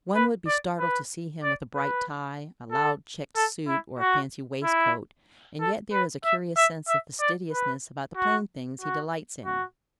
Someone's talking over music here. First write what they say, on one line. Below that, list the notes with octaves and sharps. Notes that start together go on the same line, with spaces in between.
One would be startled to see him with a bright tie, a loud checked suit, or a fancy waistcoat, and yet there is a curious sense of fastidiousness about the plain things he delights in.
B4
D5
B4
D5
B4
A4
A4
E4
F#4
E4
A4
B4
E5
E5
E5
D5
B4
F#4
F#4
F#4